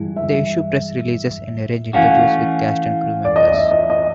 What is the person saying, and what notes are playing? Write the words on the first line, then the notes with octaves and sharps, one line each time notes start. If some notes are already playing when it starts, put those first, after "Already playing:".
They issue press releases and arrange interviews with cast and crew members.
Already playing: G2 E3 G#3
E5
E3 A3 C#4 F#4 F5
D5
D#5
E5
D#5
D#5